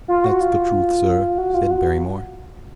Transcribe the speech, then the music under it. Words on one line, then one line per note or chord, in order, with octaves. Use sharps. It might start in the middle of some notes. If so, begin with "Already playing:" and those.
"That's the truth, sir," said Barrymore.
F4
F#4
F4
F#4
F4
F#4